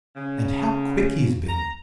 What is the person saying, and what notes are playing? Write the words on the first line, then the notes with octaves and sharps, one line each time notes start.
And how quick he's been!
C#3
A#5